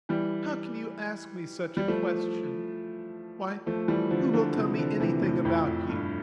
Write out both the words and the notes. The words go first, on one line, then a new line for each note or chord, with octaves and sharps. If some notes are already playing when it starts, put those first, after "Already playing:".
How can you ask me such a question? Why, who will tell me anything about you?
E3 G3
G3
F3 A3
F3 A3
E3 G3
D3 F3
D3 F3
C3 E3
D3 F3
C3 E3
A2 C3
F2 A2
F2
G2